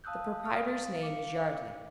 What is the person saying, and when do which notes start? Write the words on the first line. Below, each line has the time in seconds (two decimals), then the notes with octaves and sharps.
The proprietor's name is Yardley.
0.04 F5 A5 D#6 E6 F#6 G6
0.45 D#6 F6
0.68 F5 A6
1.01 F5 D6 C#7